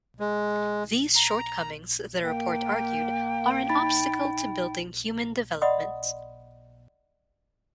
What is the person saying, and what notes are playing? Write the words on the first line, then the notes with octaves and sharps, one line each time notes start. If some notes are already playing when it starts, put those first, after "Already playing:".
These shortcomings, the Report argued, are an obstacle to building human development.
G#3
A#5
A#3 G5
D#4 B5 A6
D5 D#5 F#5 B5 C6 D#6